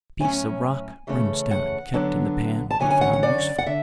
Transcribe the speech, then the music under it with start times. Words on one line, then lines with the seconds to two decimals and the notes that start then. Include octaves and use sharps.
A piece of rock brimstone kept in the pan will be found useful.
0.20 A2 F#3 C#4 G#5
1.07 C#3 E3 A3 C#4
1.51 F#5
1.94 D3 F#3 B3 D4
2.71 A5
2.80 F#2 D3 F#3 C#4 G#5
2.90 G#5
3.01 F#5
3.13 F#5
3.23 D5
3.58 F#5
3.66 D3 E5